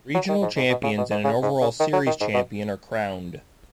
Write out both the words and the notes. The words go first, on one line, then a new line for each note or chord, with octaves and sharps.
Regional champions and an overall series champion are crowned.
F#3
D#3
G#2
G#2
B2
C#3
B2
G#2
C#3
G#2
C#3
D#3
F#3
D#3
G#2
B2